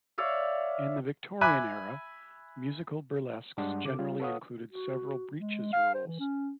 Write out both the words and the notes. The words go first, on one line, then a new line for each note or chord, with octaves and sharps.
In the Victorian era, musical burlesques generally included several breeches roles.
C#5 D5 E5 F5
E5 G#5 B5 D6 F#6
G2 G3 G#3 D4 F#5 C6
C#3 A4 D6
G3 F4
A4 B4 C#5 F5 F#5 D#6
F#4
G#3
F5
C5
E3
C#4